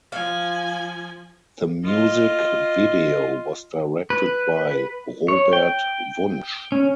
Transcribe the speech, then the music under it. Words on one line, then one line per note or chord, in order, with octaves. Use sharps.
The music video was directed by Robert Wunsch.
F3 F5 G#5
F4 D#5
B4
C#5
G5
C#4